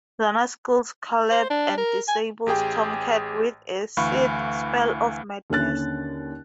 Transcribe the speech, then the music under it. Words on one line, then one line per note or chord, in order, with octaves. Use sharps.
Zannah kills Caleb and disables Tomcat with a Sith spell of madness.
C5
D4
A#4
G#5
A1 G4 G#4 G5
D2 E3 F5 B5 C#6
D#2 D3 C#4 F#6 A6